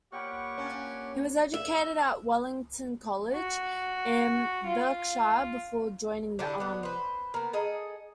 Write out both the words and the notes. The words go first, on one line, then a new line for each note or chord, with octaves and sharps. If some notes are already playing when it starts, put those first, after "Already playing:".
He was educated at Wellington College in Berkshire before joining the Army.
A#2 G4 C#5 F#5 G5 B5 C#6
A#3 C#4 D4
E5
F#4
F4
D3 D4 E4 G4
B3 D4
B4 C5
A#3 B3
G#4 A4 D#5